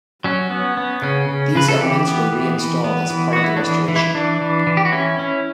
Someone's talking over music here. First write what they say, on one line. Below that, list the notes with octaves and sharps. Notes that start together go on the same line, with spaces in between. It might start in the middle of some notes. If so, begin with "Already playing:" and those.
These elements were reinstalled as part of the restoration.
F#3 C#4
B3
B3
C#3 C#4
C#3
C#3 B4
A4
E3 G4
B3
E3
E3
B3
E3
B3 F#4
E4
D4
E3
E3
E4
E3 D4
E3
E3
G4
F#4
C#4 E4
C#4